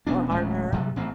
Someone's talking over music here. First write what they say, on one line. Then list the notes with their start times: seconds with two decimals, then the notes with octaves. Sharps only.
Or harder?
0.07 E1 B3 C#4 D4
0.30 D1 A1 G#3 C#4
0.72 G2 C3 F#3 G3
0.96 A1 C4